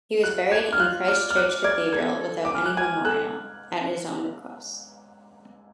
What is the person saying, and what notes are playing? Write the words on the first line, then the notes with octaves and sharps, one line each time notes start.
He was buried in Christ Church Cathedral without any memorial, at his own request.
F4 F#6
D5 G#6
F6
F4 F#6
D5 F6
F6
D5 F#6
D5 G#6
A4 G#6
A4
G#5 D6
F6
F#6
G#5 G#6
A4 F#6